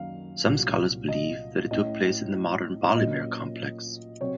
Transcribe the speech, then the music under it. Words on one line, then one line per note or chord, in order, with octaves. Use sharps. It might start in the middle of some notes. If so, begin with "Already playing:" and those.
Some scholars believe that it took place in the modern Balymer complex.
Already playing: F#2 D#3 A#3 F5
C2 A#2 F#3
D#5
A2 A3 C#4 D#5
A#2 F#3 A#3 C#4 D#5
C3 F#3 C4 C#5